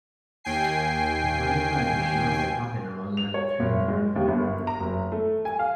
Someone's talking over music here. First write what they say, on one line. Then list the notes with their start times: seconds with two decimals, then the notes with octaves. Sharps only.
The firefight, which lasted half an hour, left three American wounded.
0.44 D#2 G5 G#5 C7
3.17 F7
3.34 C#5
3.60 F#1
3.88 G#3
4.16 D#2
4.28 G1
4.67 A#5
4.80 F#1
5.12 A3
5.45 G#5
5.59 F5